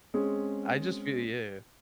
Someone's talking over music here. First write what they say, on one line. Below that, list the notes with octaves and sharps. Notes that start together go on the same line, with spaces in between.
I just feel yeah.
G#3 C4 C#4 G#4